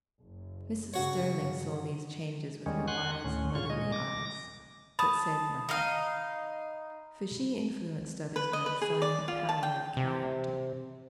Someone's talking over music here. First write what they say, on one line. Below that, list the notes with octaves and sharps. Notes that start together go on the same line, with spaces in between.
Mrs. Sterling saw these changes with her wise, motherly eyes, but said nothing; for she influenced others by the silent power of character.
F#1
G2 C#3 F#4 C#5
E2 D#3 G3 G#3 C#4
F#5 G#5 C6 F#6
D2 A2 C#4
G#2 C#3 F4 C#6
A#2 G#3 D#5
D6 A#6
A5 B5 D#6
D#4 D#5 F5
B4
D#5
B4
G#4
D5
F4
A5
G5
C3